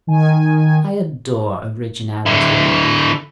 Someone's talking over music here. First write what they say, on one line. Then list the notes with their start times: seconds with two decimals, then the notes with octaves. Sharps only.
I adore originality.
0.07 D#3 G#5
2.26 D3 E4